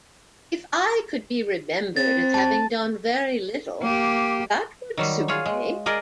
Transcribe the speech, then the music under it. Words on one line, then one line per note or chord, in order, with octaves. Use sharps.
If I could be remembered as having done very little, that would suit me.
C4 A6
A5
A#3 G4
D#3 F#3 G3
F4 G#4 C#5
G#3
G#4 A#4 D5 D#5